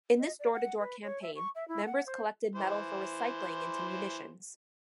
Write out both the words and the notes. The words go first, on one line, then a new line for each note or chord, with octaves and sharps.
In this door to door campaign, members collected metal for recycling into munitions.
D#5
D5
F#5
B4
C#5
E5
C#6
E5
E4
F#5
C5
E3 C5